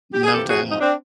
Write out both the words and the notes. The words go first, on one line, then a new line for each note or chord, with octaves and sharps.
No doubt.
G4
G#4
F2 C3 E3 G4 A4
F#4 G#4
D#4
C4 D4